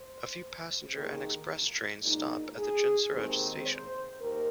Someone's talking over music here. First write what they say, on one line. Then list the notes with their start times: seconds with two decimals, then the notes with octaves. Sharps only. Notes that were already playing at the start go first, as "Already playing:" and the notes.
A few passenger and express trains stop at the Chinsurah station.
Already playing: C5
0.94 D#2 D#3 A#3 D#4 G#4
2.02 A#2 G#3 D#4
2.57 G#4
3.11 D#2 D#3 G#3 C4 C5
3.66 C5
4.20 D#2 A#4